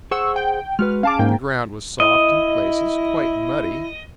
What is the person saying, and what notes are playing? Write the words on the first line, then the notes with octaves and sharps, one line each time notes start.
The ground was soft in places, quite muddy.
G#4 C5 F#5 C#6 E6
G5
G#3 F#4 B4 F6
C#4 G#4 F5 A5 D6
G#2 A#3 G5
E4 D#5